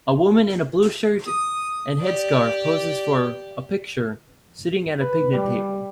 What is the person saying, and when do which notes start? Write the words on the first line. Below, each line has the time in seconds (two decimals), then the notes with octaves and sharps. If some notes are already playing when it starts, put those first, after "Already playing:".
A woman in a blue shirt and headscarf poses for a picture sitting at a picnic table.
1.27 D#6
2.00 G4 D5
5.01 B4
5.32 G3